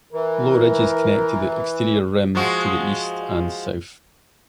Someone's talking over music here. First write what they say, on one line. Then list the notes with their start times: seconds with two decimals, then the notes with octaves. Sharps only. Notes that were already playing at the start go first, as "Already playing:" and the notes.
Low ridges connect to the exterior rim to the east and south.
0.12 E3 A#4
2.35 F3 G#3 F#4